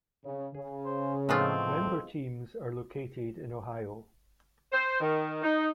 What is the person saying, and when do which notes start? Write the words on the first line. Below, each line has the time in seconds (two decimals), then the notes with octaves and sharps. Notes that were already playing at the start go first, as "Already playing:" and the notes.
Member teams are located in Ohio.
0.25 C#3
0.55 C#3 G#4
0.85 C5
1.29 A2 F3 G#3 A3 B3 C4 F4
1.69 A4
4.72 C5
5.01 D#3
5.43 D#4